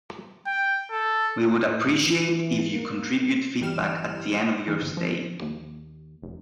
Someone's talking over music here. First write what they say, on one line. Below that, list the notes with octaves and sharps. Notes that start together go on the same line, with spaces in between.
We would appreciate if you contribute feedback at the end of your stay.
G5
A4
A2
E3
A#3
G1 E3 G3 F6 E7
E3
G1
F3
D#2
F1